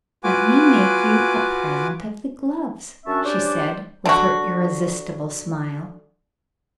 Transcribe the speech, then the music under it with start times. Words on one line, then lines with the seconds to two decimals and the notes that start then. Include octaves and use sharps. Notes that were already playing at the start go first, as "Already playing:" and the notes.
"Let me make you a present of the gloves," she said, with her irresistible smile.
0.24 F4 F#4 B4 G#5 D6
3.05 F#2 C#4 D4 E5 A5 C#6
3.24 C#4 D4 G4 C5 D5
4.05 D3 F#4